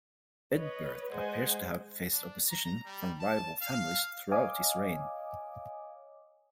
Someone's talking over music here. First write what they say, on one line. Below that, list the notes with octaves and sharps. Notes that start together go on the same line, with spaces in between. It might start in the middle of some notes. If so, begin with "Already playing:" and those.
Eadberht appears to have faced opposition from rival families throughout his reign.
B4 C#5 D#5
G#3 C5 D#5 F#5 G#5
D4
A#5
G3
A5
F5
C#5 D#5 F5 G#5 D6 D#6